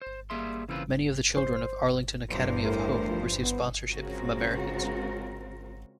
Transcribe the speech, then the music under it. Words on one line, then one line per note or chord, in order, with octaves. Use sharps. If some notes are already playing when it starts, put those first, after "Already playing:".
Many of the children of Arlington Academy of Hope receive sponsorship from Americans.
C5
G3 A#3 G#4 E5 C6
C#3 E3 A#3 C4 F4 B4
C5
E2 G2 B2 C5
A2 A3 A#4
F3
G#1 B3
C#3 G#3 C4 F4 F#4 A#4